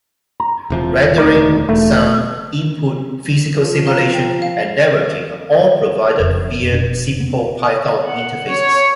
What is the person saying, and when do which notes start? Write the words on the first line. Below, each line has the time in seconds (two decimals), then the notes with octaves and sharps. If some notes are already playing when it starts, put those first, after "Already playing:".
Rendering, sound, input, physical simulation, and networking are all provided via simple Python interfaces.
0.40 A#5
0.70 E1 C3 F3
1.18 E1 D2 D#4 D5
1.69 E1 A3
3.60 F3
3.86 A#4 F5 A#5
4.13 G5
4.42 F5
6.20 F1 F2 C#3
6.72 F1 B2 D4
7.20 B3
8.06 F#5
8.49 C#5